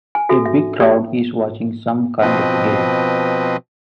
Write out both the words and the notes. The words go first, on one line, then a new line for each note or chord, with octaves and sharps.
A big crowd is watching some kind of a game.
G#5
F#4 A4 E5
E5
G4 A4 D5
B2 F3 C4 B4 D#5